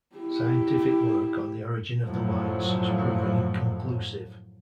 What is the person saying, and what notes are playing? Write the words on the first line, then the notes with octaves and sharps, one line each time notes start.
Scientific work on the origin of the lights has proven inconclusive.
E4 G4
F#2 A2 F3 F#3